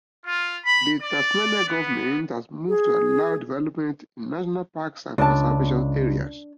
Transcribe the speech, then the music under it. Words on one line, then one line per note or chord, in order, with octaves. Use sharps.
The Tasmanian Government has moved to allow development in national parks and conservations areas.
F4
B5
D5
B3
G#4
C#2 D4 A5